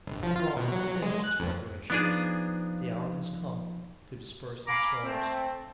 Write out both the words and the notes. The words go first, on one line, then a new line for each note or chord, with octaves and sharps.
But the throng has finished its preparations; the hour has come to disperse in swarms.
G1
F3
F4
B2
F#3
G#3
F#6
F2
F3 B3 D4 D#4 G#4
F5 G#5 A#5 B5 D6
A3 C4